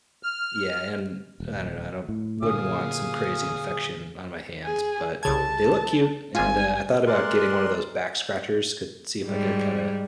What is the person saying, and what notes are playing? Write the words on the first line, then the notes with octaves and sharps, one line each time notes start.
Yeah, and I don't know, I don't wouldn't want some crazy infection on my hands, but they look cute, and, uh, I thought about getting one of those back scratchers could see if I could kinda
F6
D#1
A2
A#2 D3 A#3 G#4 F5 D#6
G#4
C2 C#3 A5 G#6
G#1 F4 G#5
G#3 A#4 D5 C6 F#6
G#2 G3